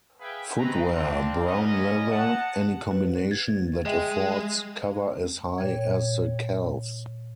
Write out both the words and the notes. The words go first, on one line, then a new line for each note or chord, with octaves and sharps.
Footwear - Brown leather; any combination that affords cover as high as the calves.
G#4 B4 E5 F5 G5 G#5
G#3 C4 C#4 D#4 B4 A#5
C4 D4 F4
B3 C#4 A#4 D#5
F#5 A5
B4
G#6 A6
G#3 D#5 E5 G5
A#2 C#5 G5 G#6